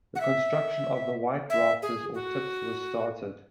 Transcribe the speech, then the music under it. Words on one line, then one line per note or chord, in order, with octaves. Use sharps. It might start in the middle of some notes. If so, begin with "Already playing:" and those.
The construction of the white rafters, or tips, was started.
F#5
E5
E5
G#4
F#4